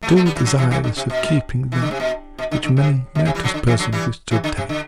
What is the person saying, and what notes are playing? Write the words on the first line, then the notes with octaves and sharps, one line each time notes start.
Unduly desirous of keeping that which many meritorious persons wish to obtain.
A3
G3 B3
A3 C4
G3 B3
E3 G3
D3 F#3
C3 E3
C3 E3
D3
C3
B2
E3
D3
C3
B2
B2
D3
D3
C3
B2
C3
E3 G3
D3 F#3
D3
C3 E3
D3 F#3
E3 G3
C3 E3
D3
C3
D3